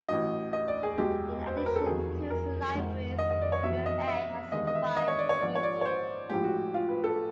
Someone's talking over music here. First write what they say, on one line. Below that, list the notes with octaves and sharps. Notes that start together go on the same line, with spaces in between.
In addition to its libraries, UvA has five museums.
A1 A2 F#3 D#5
D#5
D5
G#4
B1 B2 G#3 G4
C5
B4
A#4
A4
F1 D#2 D#3 F#3 G#4
A#4
G#1 G#2 D#3 G#3
D#5
D#5
D5
C#5
F1 E2 B2 E5
D#5
E5
E1 D#2 D#3 G#3 D#5
D#5
E5
D#5
C#5
D5
C#5
A#1 G#2 F3 D5
C#5
D5
C#5
C5
A#1 A2 F3 G#3 G4
F#4
F4
B4
A4